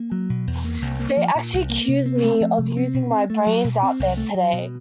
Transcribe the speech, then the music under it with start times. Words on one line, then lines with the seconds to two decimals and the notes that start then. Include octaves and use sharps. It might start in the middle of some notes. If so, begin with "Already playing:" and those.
They actually accused me of using my brains out there today.
Already playing: A#3
0.12 F#3
0.30 B2
0.47 E2
0.64 A#3
0.82 C2
0.99 A#3
1.17 F3
1.35 A#2
1.53 C2
1.70 A#3
1.88 C3
2.06 C4
2.24 A3
2.41 F3
2.58 C3
2.77 C4
2.94 B2
3.11 C4
3.30 A3
3.47 F#3
3.64 B2
3.83 C4
3.99 C2
4.17 A3
4.35 F#3
4.53 B2